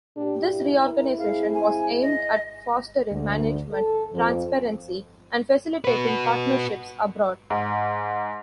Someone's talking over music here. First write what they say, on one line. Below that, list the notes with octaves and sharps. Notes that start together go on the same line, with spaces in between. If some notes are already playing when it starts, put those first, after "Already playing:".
This reorganization was aimed at fostering management transparency and facilitating partnerships abroad.
A#2 D4 G4
E4
A#4
G#3 C4 G#4 F5
G#5
D#5
D2
A4
F2
F#4 B4
G#2